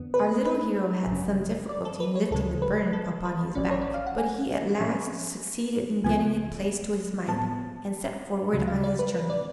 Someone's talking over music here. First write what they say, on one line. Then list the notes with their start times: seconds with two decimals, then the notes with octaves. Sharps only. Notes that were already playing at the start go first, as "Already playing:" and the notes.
Our little hero had some difficulty in lifting the burden upon his back; but he at last succeeded in getting it placed to his mind, and set forward on his journey.
Already playing: F2 D3 B3
0.14 B4
0.45 B4
1.07 G#1 F#2 C#3
1.69 D5
1.85 A4
2.00 B4
2.15 C#5
2.31 D2 C#3 G#3 A4
2.62 B4
2.93 A4
3.25 B4
3.55 A1 G#2 F#3 C#4 D5
3.71 C#5
3.81 D5
3.94 F5
4.07 F#5
4.18 G#5
4.79 A2 F3 A3 C#4 G#5
6.04 C#2 C#3 F3 B3 G#5
7.28 A2 F3 B3 A5
8.53 D2 C#3 F#3
8.67 F5
8.84 D5
8.99 B4
9.14 B4
9.30 D5